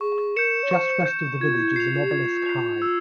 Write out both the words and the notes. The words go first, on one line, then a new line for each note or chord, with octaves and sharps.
Just west of the village is an obelisk high.
G#4 C#6
A#4 G6 C#7 E7
C#5
C5 C#6
G6 C#7 E7
F4 G#6
E4
F4 C7 F7
F4
G4
F4 G#6
C7 F7
E6